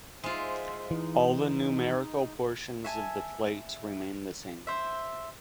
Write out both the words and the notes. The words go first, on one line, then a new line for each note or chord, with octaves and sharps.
All the numerical portions of the plate remain the same.
G#3 F4 C5 E5
E3 D#4
E5 G#5 A5
C5 E5